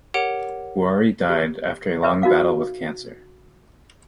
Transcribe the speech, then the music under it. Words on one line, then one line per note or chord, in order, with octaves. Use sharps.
Wuori died after a long battle with cancer.
G4 A#4 C#5 F#5 D7 F7
G4
A#4 B4 C#5 E5
D#4 F#4 A#4 F5 D6